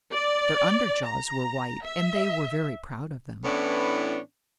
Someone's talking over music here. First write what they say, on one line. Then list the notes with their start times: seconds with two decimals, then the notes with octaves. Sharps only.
Their under jaws were white, and they were very proud of them.
0.12 D5
1.06 A#5
1.85 E5
3.44 A2 E3 B3 C#4 D4